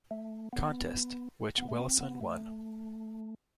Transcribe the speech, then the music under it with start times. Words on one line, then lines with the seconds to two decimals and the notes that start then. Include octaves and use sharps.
Contest, which Wilson won.
0.11 A3
0.53 B3
1.58 B3
1.69 A3
1.80 C4
2.01 B3
2.21 A3